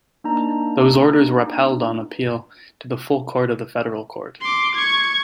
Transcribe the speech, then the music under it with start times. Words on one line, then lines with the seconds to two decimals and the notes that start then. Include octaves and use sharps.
Those orders were upheld on appeal to the Full Court of the Federal Court.
0.24 A#3 D4 D#4 A#5
4.41 C6 D6
4.75 C#6 G#6